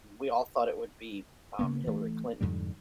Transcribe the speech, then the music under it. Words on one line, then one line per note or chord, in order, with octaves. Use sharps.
we all thought it would be, um, Hillary Clinton.
C#3 A#3 B3
E3 A3
F2 G#2 D3 G3